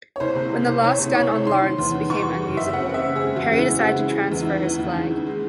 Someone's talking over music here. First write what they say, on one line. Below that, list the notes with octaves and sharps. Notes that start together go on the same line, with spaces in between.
When the last gun on "Lawrence" became unusable, Perry decided to transfer his flag.
C#5
C2 C5
C3
C3
C2
C2 C#5
C3
C2 C#5
C2
D#3 C6
D#3
E2
D#3
E2 C#6
D#3
F#1
F#1 E5
C4 F#5
C4 E5
C#3
G#3 G#4
E2 F#4
C#3
E4
G#3
F#4
C#3
G#3 E4
G#3
E2
E4
D#3
E2
E2
D#3
D#3
G#3